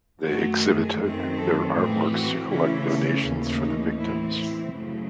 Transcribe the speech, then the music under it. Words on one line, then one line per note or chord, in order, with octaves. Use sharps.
They exhibited their artworks to collect donations for the victims.
F#2 D#3 A3 F#4
G#4
F#2 D#3 A3 C4
A4
A2 E3 C4 G#4
F#4
C#3 E3 A3 C#4 E4
D#2 C#3 E3 A3 C#4
D#4
A2 E3 C4 E4
E4
F#2 C#3 F#3 A3